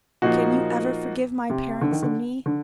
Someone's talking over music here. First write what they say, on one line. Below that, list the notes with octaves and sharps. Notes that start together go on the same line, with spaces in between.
Can you ever forgive my parents and me?
A#2 F3 A#3 D#4 F#4
C3
D3
D#3
D3
D3